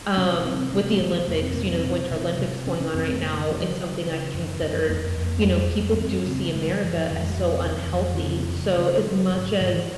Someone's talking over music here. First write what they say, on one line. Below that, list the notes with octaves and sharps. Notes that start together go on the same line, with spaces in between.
Um, with the Olympics, you know, the Winter Olympics going on right now, it's something I've considered. You know, people do see America as so unhealthy, so, as much as
C3 C#4
C3 C4
C4
C3 C#4
C4
C3 F3
F#3
F2 A#3
C4
C3 A#3
C4
C3
C3
C3
C#3 C#4
C#4
F#2 C4
C4
C#3 A#3
C#3 F#3
F3
F#3
C#3
C#3
F#2
F#2
F2 A#3
F2
F2
F2
A#3
F#2 C4
C#4
C#3 C4
C#3 G#3
F#3
F#2 F3
F3
F2 D#3
G#3
F#3
C3 F3
F2 D#3
F2
D#3
C#3 F3
C#3
C#3
C#3
G#2 F#3
G#2 D#3
F3